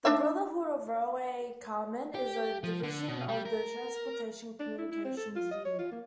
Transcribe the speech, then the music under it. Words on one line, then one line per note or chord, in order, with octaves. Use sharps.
The Brotherhood of Railway Carmen is a division of the Transportation Communications Union.
D4 D#4 E5
G4
F3
D3
B2
G3
A#4
D4
E4
E4
C4
A4
F4
D#5
C#5
F4
A#3